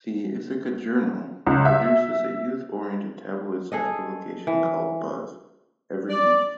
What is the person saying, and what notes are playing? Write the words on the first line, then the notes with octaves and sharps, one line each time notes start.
"The Ithaca Journal" produces a youth-oriented tabloid-sized publication called "Buzz" every week.
C#2
E5
G#4 A4 D#5
E3
D5